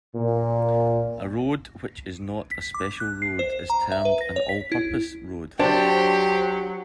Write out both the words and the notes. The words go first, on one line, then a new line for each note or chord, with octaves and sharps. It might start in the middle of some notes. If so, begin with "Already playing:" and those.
A road which is not a special road is termed an "all-purpose" road.
A#2
B6
D6
F#6
C7
C5
A#5
E5
B4
A#6
C#5
B6
E4
F#3 D4 G4 C5 A5